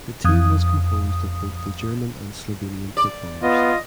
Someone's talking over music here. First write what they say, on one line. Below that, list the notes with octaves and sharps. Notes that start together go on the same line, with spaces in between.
The team was composed of both the German and Slovenian footballers.
F2 D#6
D5
B3 F4 D#5